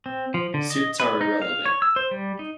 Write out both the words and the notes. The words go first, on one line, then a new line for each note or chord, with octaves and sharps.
Suits are irrelevant.
C4
F3
D3
D#5
B4
D#4
F5
C#5
E6
C5
G3
D#4